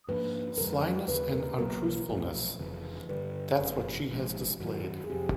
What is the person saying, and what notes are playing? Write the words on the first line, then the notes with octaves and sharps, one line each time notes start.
Slyness and untruthfulness — that’s what she has displayed.
G#2 F3 A#3 D4 B4
F2 C#3 F3 G#3 A#4
D#2 C#3 E3 B4
A#4
B1 B2 F#3 A#3 A#4
B1 A#2 F3 A3
F1 F2 C#3 E3
G2 D3 G3 B4
F#1 F2 C3
G#1 G#2 F3
F#2 D#3 F#3
G#4
F2 C3 F3 G4